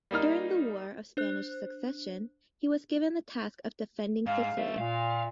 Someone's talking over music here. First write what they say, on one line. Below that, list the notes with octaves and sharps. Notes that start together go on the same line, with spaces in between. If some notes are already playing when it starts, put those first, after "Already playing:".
During the War of Spanish Succession, he was given the task of defending Sicily.
G3 A#3 D#4 F6
D4 C5 F#6
G#2 F5
G#3 E5
A#2 F5